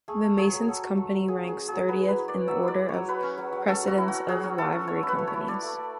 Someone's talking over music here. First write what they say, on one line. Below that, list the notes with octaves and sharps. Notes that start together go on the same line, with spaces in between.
The Masons' Company ranks thirtieth in the order of precedence of Livery Companies.
A3 G#4
A3
F#3 G#4
F#3
F#3 A4
F#3
A3
F#3
F#3 G#4
C#4 G#4
F#3
G#4
F#3
F#3 B4
E4
B4
E4
D5
C#4
F#3 E5
E4 D5
E4
F#3 C#5
F#3 B4
C#4
F#3
F#3
C#4 A4
F#3 F#4
E4
F#4
C#4
F#3 G#4
C#4
E4 A4
C#4
A3 C#5
E4
B4
A3
C#5
E4
A3 D5
A3
A3